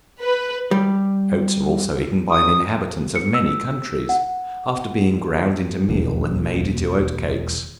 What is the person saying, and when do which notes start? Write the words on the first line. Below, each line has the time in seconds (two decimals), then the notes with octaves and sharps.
Oats are also eaten by the inhabitants of many countries, after being ground into meal and made into oat cakes.
0.21 B4
0.71 G3
2.30 D#6
3.16 C#7
3.34 E6
4.09 F#5
5.88 E1 A#1 D#2